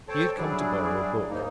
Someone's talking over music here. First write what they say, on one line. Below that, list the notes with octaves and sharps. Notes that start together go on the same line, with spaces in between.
He had come to borrow a book.
A4 C5 C#5 G5 A5
F#3 G3 D4 E4 G#4 D5
D#2 G#2 A#3 D#4